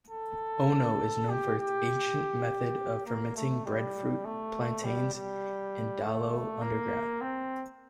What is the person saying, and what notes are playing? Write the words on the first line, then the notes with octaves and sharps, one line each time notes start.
Ono is known for its ancient method of fermenting breadfruit, plantains, and dalo underground.
A4
G4
G4
A#3
A3
G3
A3
G3
G3
A3
A#3
C4